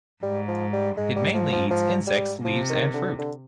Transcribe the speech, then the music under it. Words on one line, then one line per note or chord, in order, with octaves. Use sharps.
It mainly eats insects, leaves, and fruit.
G#2 G3
F3
G3
G#2 G#3
G3
F3
F3
F3
G3
C3 F3
D#3
D3
D3